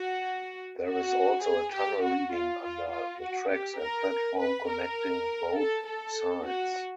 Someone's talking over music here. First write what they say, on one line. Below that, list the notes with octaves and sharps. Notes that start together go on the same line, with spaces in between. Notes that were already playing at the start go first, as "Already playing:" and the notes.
There is also a tunnel leading under the tracks and platform connecting both sides.
Already playing: F#4
F#4
G#4
G4
F#4
F4
F4
F4
F#4
G4
A#4
B4
A#4
A4
A4
F#4